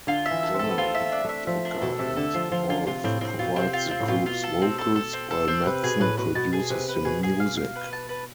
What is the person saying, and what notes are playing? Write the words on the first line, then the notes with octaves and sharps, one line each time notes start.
Generally Drucker and Wolf provide the group's vocals while Madson produces the music.
D3 F4
E5
E3
A4
C4
A3 A4
B3
C4 F4
E5
A3
D4
A3 E5
F3 E5
D4
B2 A4
C3 E5
D3 A4
F3 F4
F3 F4
D3 F4
C3 F4
A2 C4
A2 C4
B2 F4
C3 C4
F4
C4
A2
B2 F4
F4
A4
C4
A4
A4
C4
A4
C4
C3 B4
B2 G#4
A2 B4
B2 B4
B2 A5
G#4
C3 B4
B4
B2 G#4
G#4
F5
F5
B4
A5
B4